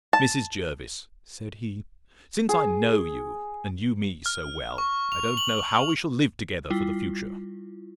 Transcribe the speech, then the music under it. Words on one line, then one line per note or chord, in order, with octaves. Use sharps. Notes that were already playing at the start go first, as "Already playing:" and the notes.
Mrs. Jervis, said he, since I know you, and you me so well, I don't know how we shall live together for the future.
A5
G#4
F6
C#6
F7
F#7
F7
G3 E4 F4